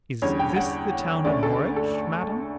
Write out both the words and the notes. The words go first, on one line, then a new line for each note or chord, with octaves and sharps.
"Is this the town of Norwich, madam?"
E2 D3 G3 C#4 C#5
G5
F#5
D2 D3 A3 C#4 D5
A4
A4
A4